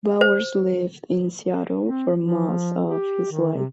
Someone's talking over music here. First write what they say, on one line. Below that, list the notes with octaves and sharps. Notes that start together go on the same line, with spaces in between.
Bowers lived in Seattle for most of his life.
C5
C4
F3
G4
D#3
C3